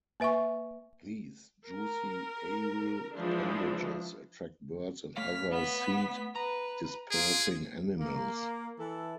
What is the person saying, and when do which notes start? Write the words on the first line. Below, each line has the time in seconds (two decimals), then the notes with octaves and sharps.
These juicy aril appendages attract birds and other seed dispersing animals.
0.20 A#3 B4 E5 G#5 C#6
1.67 A#4
3.16 E3 F3 G#3 D4
5.17 A3 C#5 F5 F6 B6
5.51 B3 B6
6.36 B4 A#5
7.11 F4 G#4 D7
7.99 A#3
8.79 E3 A4